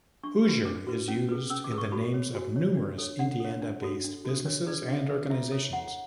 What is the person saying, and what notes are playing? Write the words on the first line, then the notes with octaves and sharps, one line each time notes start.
"Hoosier" is used in the names of numerous Indiana-based businesses and organizations.
D4 C#6
F#4 B4
D4 D6
F#4 B4
C#4
G#4 B4
C#4 E6
D6
G#4 B4
C#6
F#4 B5
C#5
F#4 G#5
C#5
D4
A4 C#5
D4 F#5
A4 C#5
D4
F#4 A4
D4
F#4 A4
D4 C#5
G#4 B4 D5
D4 E5
G#4 B4
E4 E5
A4 C#5
E4 F#5